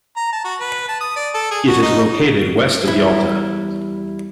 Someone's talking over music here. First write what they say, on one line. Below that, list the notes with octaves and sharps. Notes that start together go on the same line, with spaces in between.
It is located west of Yalta.
A#5
A5
F#4
B4
A5
D#6
D5
A4
G#4
F#4
D#4
E2 G3 E4 E5